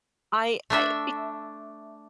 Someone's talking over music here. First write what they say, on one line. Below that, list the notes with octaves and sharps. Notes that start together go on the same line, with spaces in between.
I I be
A3 D4 E5